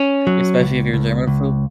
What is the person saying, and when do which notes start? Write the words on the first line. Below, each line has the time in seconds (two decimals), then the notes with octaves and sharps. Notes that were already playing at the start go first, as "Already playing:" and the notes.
Especially if you're a germaphobe.
Already playing: C#4
0.27 F#3
0.60 C#2
0.94 C#2
1.27 C#2